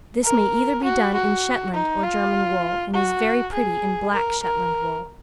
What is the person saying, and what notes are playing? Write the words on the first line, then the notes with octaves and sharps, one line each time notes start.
This may either be done in Shetland or German wool, and is very pretty in black Shetland wool.
A#4
F#4
F#4
D#4
F4
F#4
G#4
A#4
A#4